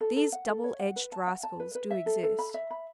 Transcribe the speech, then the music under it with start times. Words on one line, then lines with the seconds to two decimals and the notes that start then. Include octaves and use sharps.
These double-edged rascals do exist.
0.01 A4
0.16 A4
0.32 F#5
0.48 A4
0.64 C#5
0.79 F#5
0.96 B4
1.12 A5
1.27 F#5
1.43 A5
1.60 B4
1.75 B4
1.91 E5
2.06 A4
2.23 A4
2.39 B5
2.54 E5
2.71 B5